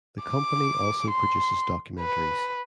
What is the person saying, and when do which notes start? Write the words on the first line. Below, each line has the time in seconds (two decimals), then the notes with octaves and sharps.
The company also produces documentaries.
0.24 D6
1.11 C6
2.00 B4